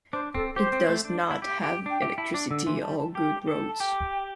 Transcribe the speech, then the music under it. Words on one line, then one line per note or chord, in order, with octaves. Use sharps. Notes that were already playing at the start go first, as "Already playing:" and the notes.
It does not have electricity or good roads.
D4 C5
C4 A4
G4 C5
C4
A3
D4
E4
G4
G4
D4 G5
G4 E5
E4 A5
D4 D6
D3 E6
E3 C6
G3 A5
A5
G4 G5
A4
A5
G4 G5